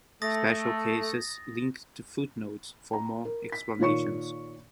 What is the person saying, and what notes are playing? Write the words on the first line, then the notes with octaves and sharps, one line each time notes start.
Special cases link to footnotes for more explanations.
A3 D#6 A6 A#6
A#5
A#4
B6
A#2 D#3 F4 C#5 C#6 C#7